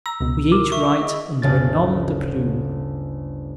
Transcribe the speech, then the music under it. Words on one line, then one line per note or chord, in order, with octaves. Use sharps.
We each write under a nom-de-plume.
A#5 E6
C#2 B2
A#4 D6
E5 C#6
E4 G#4 D#5
G1 D2 C#3 A6